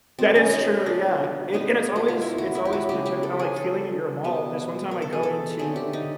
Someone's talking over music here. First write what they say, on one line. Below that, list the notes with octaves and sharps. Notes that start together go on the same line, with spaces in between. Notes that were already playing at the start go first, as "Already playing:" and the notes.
That is true, yeah, it and it's always it's always perturbed I'm like, feeling at your mall. This one time I go into
B2 F#3 B3 C4
C#4
D#4
D4
B2 G3 C4 D#4
F#4
F4
E4
F#4
E4
G4
F#4
C#3 F#3 B3 G4
G4
A4
G#4
A4
B2 G3 B3
A#4
A4
G#4
A4
D3 F#3 A3 C4 G#4
G4
D#4